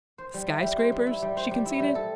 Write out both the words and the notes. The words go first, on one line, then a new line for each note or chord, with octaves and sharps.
"Sky-scrapers?" she conceded.
C5
G3
E4
G3
C5
G3
E4
G3
C5
G3
E4
G3
A4